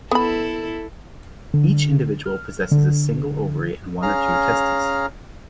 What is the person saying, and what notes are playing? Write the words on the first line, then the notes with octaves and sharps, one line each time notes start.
Each individual possesses a single ovary and one or two testes.
B3 E4 A4 B5
D3
F6
D3
C#4 G#4 F5 A#5 F6